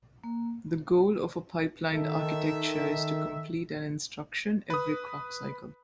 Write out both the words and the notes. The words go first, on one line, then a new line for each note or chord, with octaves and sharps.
The goal of a pipelined architecture is to complete an instruction every clock cycle.
A#3
D#3 A4 E5
B4 D#6